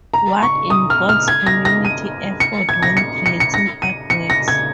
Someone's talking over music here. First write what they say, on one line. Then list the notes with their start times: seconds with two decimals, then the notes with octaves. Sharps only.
Watt involves community effort when creating artworks.
0.14 A#5
0.43 C#6
0.70 D#6
0.90 F6
1.09 F6
1.28 G#6
1.47 A#6
1.65 A#6
1.85 D#7
2.40 C#7
2.69 G#6
2.83 A#6
2.97 C#7
3.26 C#7
3.40 C#7
3.54 A#6
3.82 D#7
4.10 C#7
4.30 A#6
4.48 G#6